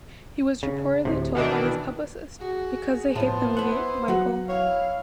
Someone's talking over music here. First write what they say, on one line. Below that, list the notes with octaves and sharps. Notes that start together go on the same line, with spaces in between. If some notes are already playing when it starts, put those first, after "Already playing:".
He was reportedly told by his publicist, Because they hate the movie, Michael.
C#3
D2 A2 C3
B2 D#3 E3 D4
F#4 G#4
A2 F3 B3 C5 A5
E4 E5 F#5
F#3 F#4 F#5
E4 C#5 F5